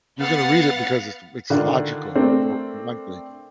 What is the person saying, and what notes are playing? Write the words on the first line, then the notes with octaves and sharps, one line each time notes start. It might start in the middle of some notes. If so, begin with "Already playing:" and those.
you're gonna read it because it's it's logical for one thing.
B3 F5 F#5 A6
D3 D#3 D4 F4
A3 C4 D4 A#4 C5